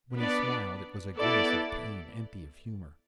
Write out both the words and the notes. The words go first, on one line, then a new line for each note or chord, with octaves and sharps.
When he smiled it was a grimace of pain, empty of humor.
B3 D4 B4 D5
B3 E4 A4 D5